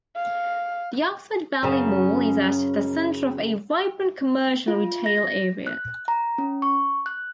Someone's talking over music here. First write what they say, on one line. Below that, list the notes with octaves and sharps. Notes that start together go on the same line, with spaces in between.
The Oxford Valley Mall is at the center of a vibrant commercial retail area.
F5
F#2 C#3
F4
A#6
F#6
A#5
C#4
C#6
F#6